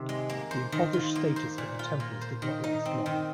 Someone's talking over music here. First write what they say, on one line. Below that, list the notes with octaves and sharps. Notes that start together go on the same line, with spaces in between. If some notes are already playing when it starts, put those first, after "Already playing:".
The impoverished status of the Templars did not last long.
Already playing: C3 D#3 C4
G#3
A#3
C5
D#3
F4
A#3
C5
A#2
F4
A#3
C5
D#3
D#4
C4
D#3